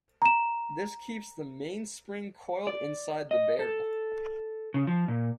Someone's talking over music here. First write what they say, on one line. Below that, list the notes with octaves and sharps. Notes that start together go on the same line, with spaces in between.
This keeps the mainspring coiled inside the barrel.
A#5 E7
D5
D#5
A4
C#3
F3
A#2